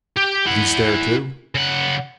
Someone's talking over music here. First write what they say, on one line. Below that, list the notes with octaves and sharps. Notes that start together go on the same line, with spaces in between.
"Did he stare too?"
G4
E4 F#5
C#3 F#5